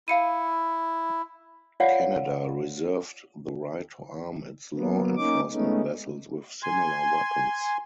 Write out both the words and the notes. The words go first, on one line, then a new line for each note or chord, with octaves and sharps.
Canada reserved the right to arm its law enforcement vessels with similar weapons.
E4 F5 C#7 D#7
F4 C#5 D5 F5 F#5
F#3 A#3 B3
A#3 C#4 D#4 D6
G#3 A3 B3 C#4 D#4
G#5 C6